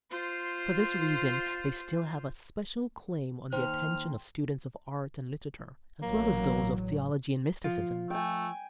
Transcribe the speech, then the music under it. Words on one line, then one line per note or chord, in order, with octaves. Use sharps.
For this reason they still have a special claim on the attention of students of art and literature, as well as those of theology and mysticism.
F4 C5
D#2 D#3 C5 G5 C6 F6
A1 F#3 A#3
F3 F4
A3 G5 G#5